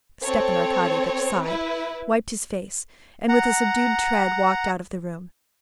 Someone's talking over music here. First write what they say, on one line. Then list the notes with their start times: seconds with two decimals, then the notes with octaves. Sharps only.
Stepan Arkadyevitch sighed, wiped his face, and with a subdued tread walked out of the room.
0.22 C4 A4 C#5
1.43 E4 B4
3.29 F#5 A#5